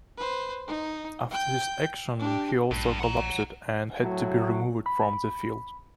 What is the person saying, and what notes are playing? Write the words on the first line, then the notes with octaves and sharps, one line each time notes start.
After this action, he also collapsed and had to be removed from the field.
B4 C5
D#4
G5 G6
D4 G4
A#1 G2
F#5 A#5
A2 F#3
B5